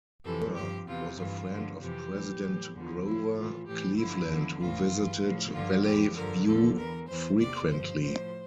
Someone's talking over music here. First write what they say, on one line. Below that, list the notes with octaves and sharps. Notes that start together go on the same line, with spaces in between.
Burr was a friend of President Grover Cleveland, who visited Valley View frequently.
F2 C3 E3 A4
G2 F3 G4
E2 C3 E3 F4
G2 E3 F4
G2 D3 F3
F2 C3 E3 G4
A2 E3
A2 E3
E2 D3 F3
A2 F3 E4
A2 E3 F4
A2 E3 G4
G2 D3 F3 E4
E2 D3 F3
A2 E3 F4
G2 E3
A2 F3
G2 D3 F3 F4
F2 E3 G4
G2 D3 F3 A#4
E2 D3 F3 A4
E2 E3 A#4
E2 E3 C5
E2 C3 E3 D5
G2 F3 C5
A2 F3 C5